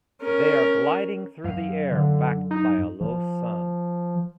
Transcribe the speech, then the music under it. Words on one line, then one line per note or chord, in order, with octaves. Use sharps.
They are gliding through the air, backed by a low sun.
C#4 A#4
F#2 F5
D3
D#4
F3